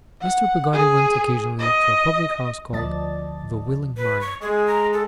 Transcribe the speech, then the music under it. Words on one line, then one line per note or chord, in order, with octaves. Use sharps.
Mr. Peggotty went occasionally to a public-house called The Willing Mind.
F#5
G#4
D#5
D2 F3 D5 D#5 A5 A6
B4
C#6
G#3 G#4
A#5
A4